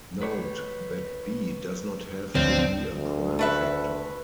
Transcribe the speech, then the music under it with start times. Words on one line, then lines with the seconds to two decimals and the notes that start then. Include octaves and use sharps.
Note that B does not have to be a prime factor.
0.22 B4 C#5
2.35 G#1 D2 F3 C4 B4 C#5 D5
2.95 D2
3.39 A3 B4 E5